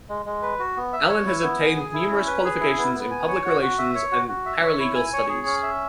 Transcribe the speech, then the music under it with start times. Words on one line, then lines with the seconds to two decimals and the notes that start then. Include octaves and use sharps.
Allen has obtained numerous qualifications in Public Relations and Paralegal Studies.
0.09 G#3
0.26 G#3
0.43 B4
0.59 F#4
0.77 B3
0.93 E5
1.09 C#5
1.26 E4
1.43 B3
1.60 G#5
1.77 G#4
1.94 E4
2.11 C#4
2.27 B4
2.44 G#4
2.61 E4
2.77 B3
2.95 B3
3.11 G#5
3.28 C#5
3.45 F#4
3.62 F#4
3.78 E5
3.95 C#5
4.11 F#4
4.28 F#4
4.46 E5
4.63 C#5
4.79 E4
4.95 G#5
5.13 C#5
5.29 G#4
5.46 C#4
5.63 E5